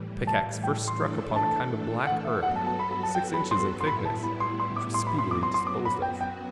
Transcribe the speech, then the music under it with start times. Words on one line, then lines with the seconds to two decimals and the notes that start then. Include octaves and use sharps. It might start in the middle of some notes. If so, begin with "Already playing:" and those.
The pickaxe first struck upon a kind of black earth, six inches in thickness, which was speedily disposed of.
Already playing: A2 E3 G3
0.27 A5
0.64 G5
0.88 C6
0.99 E3 A3 D4 A4
1.36 A5
2.07 F#5
2.25 E5
2.43 G2 F#3 B3 F#4 A4 F#5
2.56 A5
2.67 A5
2.79 B5
2.91 B5
3.03 A5
3.15 G5
3.34 B5
3.51 C6
3.81 C6
3.87 A2 G3 B3 E4 B5
4.05 A5
4.23 B5
4.40 C6
4.60 C6
4.76 D6
4.94 C6
5.07 B5
5.18 C6
5.31 F#2 F#3 B3 F#4 D6
5.43 C6
5.54 C6
5.67 D6
5.85 B5
6.02 G5
6.21 G5